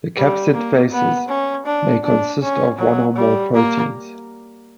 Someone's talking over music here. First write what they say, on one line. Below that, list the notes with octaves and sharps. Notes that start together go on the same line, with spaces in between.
The capsid faces may consist of one or more proteins.
G3
A#3
B3
C#4
D4
D4
C#4
F#3
G3
A#3